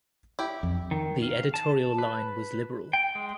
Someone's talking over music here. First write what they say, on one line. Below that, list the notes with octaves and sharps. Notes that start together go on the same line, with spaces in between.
The editorial line was liberal.
E4 G4
F2
D#3
F5
A5
B4
G5
G#3